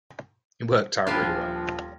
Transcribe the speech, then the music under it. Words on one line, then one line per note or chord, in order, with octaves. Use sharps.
It worked out really well.
D#1 F3 D4 F4 G4 G#5 B5 F6